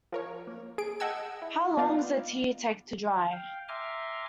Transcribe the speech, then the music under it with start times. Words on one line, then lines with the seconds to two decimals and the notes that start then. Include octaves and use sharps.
How Long's a Tear Take to Dry?
0.12 F3 A#4 C#5
0.47 A#3
0.78 G#4 D7
1.00 D#5 F#5 G5 A5 E6 G#6
1.42 E4
1.77 B3 D4 D#4 F4 D5 F5
3.32 F5 G5
3.68 E5 G#5 A#5 C6 D6 F6